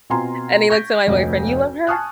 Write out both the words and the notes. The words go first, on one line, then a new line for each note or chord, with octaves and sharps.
and he looks at my boyfriend, "You love her?"
B2 C4 F4 G#5 A#5 C6
C#6 G6 G#6 A#6 B6 D7
F1 D2 C#5 D#5
G#5 A5 C#6 D#6 F6 F#6